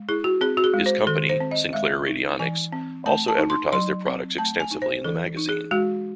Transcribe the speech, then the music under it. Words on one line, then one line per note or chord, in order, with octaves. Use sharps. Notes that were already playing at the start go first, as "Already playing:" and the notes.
His company, Sinclair Radionics, also advertised their products extensively in the magazine.
Already playing: G#3
E4 G#4
F#4
C4 G#4
F#4
G#4
G#3
C5
D#3 A4
C5
C4
D#5
G#3 E5
D#4
E3 G#5
C4
A3 A5
A5
D#4
C6
F#3 C6
C4
A3 A5
G#5
D#4
C5
E3 A4
D#4
G#4
G#3 F#4